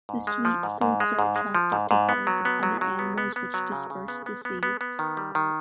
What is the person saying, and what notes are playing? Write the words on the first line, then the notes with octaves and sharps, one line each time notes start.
The sweet fruits are attractive to birds and other animals which disperse the seeds.
G#2
G#3
F3
G#2
G#2
G#3
G#2
G#3
F3
G#2
G#2
B3
F#3
B3
F#3
F#3
B3
B3
B3
F#3
C#3
C#3
B3
B3
B3
B3
B3
D#3
G3
D#3